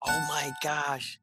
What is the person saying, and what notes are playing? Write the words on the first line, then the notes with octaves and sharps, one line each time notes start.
Oh my gosh.
F#5 A5